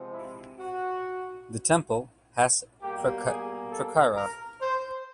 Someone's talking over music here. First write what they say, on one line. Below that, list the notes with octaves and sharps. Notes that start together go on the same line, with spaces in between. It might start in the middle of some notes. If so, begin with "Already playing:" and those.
The temple has prakara.
Already playing: C3 F3 G#3 C4
E4
F#4
B2 G3 A#3 G4
G#4
A4
A#4
C5